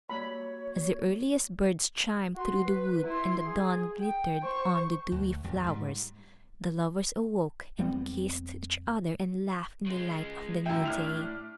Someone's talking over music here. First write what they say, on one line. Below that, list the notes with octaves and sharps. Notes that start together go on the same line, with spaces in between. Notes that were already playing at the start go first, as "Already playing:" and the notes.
As the earliest birds chimed through the wood, and the dawn glittered on the dewy flowers, the lovers awoke and kissed each other and laughed in the light of the new day.
G3 A#3 F#4 C#5 B5
F#4 C6
B4
E4 C6
G#4
G5
C5 C#6
D2
A#1 F2 G3
G#2 G3
F1 G3 B3 C4
C#3 G#3
F#2 A2 E4 E5 G5
D4 F6 F7